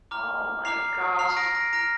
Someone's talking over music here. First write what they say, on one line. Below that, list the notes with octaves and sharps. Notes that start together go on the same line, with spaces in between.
Oh my gosh.
A#5 D6 F6
A#5 D6 F6 C7 F7
A#5 F6 C7 F7
A#6 D7
A#6 D7
A#5 F6 A#6 D7